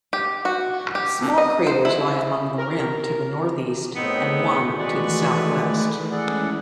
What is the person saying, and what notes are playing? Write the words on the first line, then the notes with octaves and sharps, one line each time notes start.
Small craters lie along the rim to the northeast and one to the southwest.
G4
F#4
G4
D#5
C5
E4
A#4
A2 B3 C4 D#4 G#4
D#3 E3 G#3 A3 F#4 B4 D5
G#3 C#4 E4 G#4 A4 D5 F#5